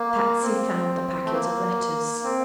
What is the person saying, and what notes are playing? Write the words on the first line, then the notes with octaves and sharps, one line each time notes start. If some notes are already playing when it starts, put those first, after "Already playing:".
Patsy found the packet of letters.
Already playing: A#3
C4
A3
A#3
C4